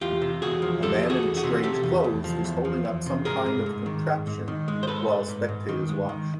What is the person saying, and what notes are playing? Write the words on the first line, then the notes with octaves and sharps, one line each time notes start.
A man in strange clothes is holding up some kind of contraption while spectators watch.
E2 F4 G4
C3
E2 F#4 G#4
F3
E2 G4 A4
E2
F#4 G#4
E2
F#4 G#4
C3
C3 G4 A4
E2
E2
F3
E2
F3
E2
C3
G#2 G#4 A#4
G#2
G#2
D#3
G#2
G#2
D#3
G#3
C5
G#2 A4 B4
G#2
G#2
G#2
D#3
G#3
D#3